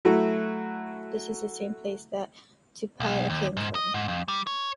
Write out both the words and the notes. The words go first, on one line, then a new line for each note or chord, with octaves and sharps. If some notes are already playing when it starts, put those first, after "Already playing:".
This is the same place that Tupaia came from.
F#3 A3 E4 F#4
B1
D#2
G#2
D#5
G#2
F2
G3
C#5